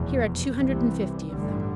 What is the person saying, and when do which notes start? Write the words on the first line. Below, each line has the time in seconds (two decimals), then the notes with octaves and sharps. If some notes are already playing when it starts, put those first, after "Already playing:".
"Here are two hundred and fifty of them."
Already playing: F1 E2 B2
0.55 C2 C3 E3 G3
1.30 A1 G2 D3 G3